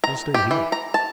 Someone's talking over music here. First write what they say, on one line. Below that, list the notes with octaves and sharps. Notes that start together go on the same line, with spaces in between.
We'll stay here.
A#5
G4
E3
A#5
A5